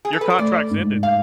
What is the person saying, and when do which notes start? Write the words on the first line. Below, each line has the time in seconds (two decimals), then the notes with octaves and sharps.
your contract's ended.
0.05 G#4
0.13 A4
0.21 B4
0.30 C5
0.38 A3 D5
0.71 G#2
1.03 F5